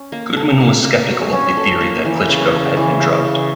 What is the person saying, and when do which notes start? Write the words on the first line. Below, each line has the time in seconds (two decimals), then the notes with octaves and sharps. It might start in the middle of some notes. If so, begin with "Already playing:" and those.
Goodman was skeptical of the theory that Klitschko had been drugged.
Already playing: C#4
0.12 A#3
0.37 A4
0.61 A#3
0.84 A#3
1.08 F#4
1.33 C#4
1.57 A4
1.81 A#3
2.05 E3
2.29 C#3
2.52 C#3
2.77 E3
3.01 C#3
3.25 C#3